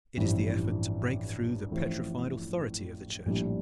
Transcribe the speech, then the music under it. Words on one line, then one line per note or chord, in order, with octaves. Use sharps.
It is the effort to break through the petrified authority of the Church.
A1 G2 F3 C4 E4
A1 A2 F3 C4
A#1 A2 G3 D4